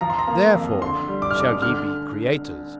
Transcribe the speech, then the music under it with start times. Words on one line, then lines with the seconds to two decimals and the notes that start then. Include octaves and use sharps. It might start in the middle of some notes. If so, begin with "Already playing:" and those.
Therefore shall ye be creators!
0.01 F3 A#5
0.10 C6
0.19 A#5
0.28 A#3
0.55 F2
0.82 D3 C6
1.08 G3
1.22 D6
1.31 F6
1.35 F1 D6
1.62 D3 F6